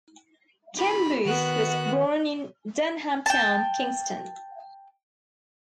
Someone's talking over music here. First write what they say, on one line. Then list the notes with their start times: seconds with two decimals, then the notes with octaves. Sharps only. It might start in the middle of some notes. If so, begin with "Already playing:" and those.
Ken Boothe was born in Denham Town, Kingston.
0.78 E4 F4 G4 B5
1.25 D#3 B3 F#4 F#6
3.26 G5 A5